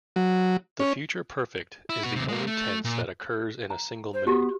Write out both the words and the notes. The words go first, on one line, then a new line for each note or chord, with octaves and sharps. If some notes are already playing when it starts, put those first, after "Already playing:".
The future perfect is the only tense that occurs in a single mood.
F#3
C#4
E4
B3 F#4
D#2 C3
G#3 A#3
A3
A#2
A#5
C5
B3 F#4 G4